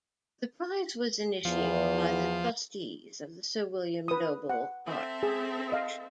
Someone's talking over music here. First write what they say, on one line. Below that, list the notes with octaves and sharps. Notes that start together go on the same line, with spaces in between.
The prize was initiated by the Trustees of the Sir William Dobell Art Foundation.
E2 F3
B4 D#6
F#5
C4 A4 E5
G#4
D#5 F5